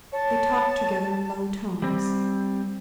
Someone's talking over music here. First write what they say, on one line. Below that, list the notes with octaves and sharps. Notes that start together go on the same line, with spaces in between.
They talked together in low tones.
C#5 A5
G3 C4